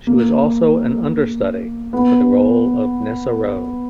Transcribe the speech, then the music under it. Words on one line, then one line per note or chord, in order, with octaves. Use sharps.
She was also an understudy for the role of Nessarose.
A#3
B3